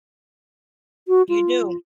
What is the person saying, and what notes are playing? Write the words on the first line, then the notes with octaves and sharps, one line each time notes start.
You do.
F#4
F4